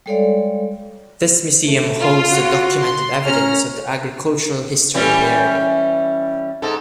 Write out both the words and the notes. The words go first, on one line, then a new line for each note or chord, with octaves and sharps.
This Museum holds the documented evidence of the agricultural history of the area.
G3 G#3 A4 C#5 D5 F5
A3
F4
F#4
C6
C#4 A#5 F6
E3 G3 C#4
G#2 A4